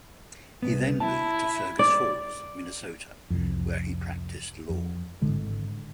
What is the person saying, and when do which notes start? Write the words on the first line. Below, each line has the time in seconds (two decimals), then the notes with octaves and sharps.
He then moved to Fergus Falls, Minnesota where he practiced law.
0.62 C2 F2 B3
1.00 E4 A5
1.79 D5
3.30 C2 F2
4.69 F2
5.22 G#1 A2 D3 G#3